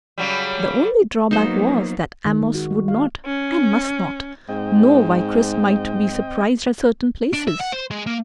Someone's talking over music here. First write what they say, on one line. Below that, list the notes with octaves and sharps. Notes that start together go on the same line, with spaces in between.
The only drawback was that Amos would not, and must not, know why Chris might be surprised at certain places.
C#3 F#3 G3
F#3 A#3 B3 D#4 C5
D#3
G#3
F#4
G#3
F5
C#4
G#2 C4 D#5 G5
D4
E5
F#5
C5
G#3
A#3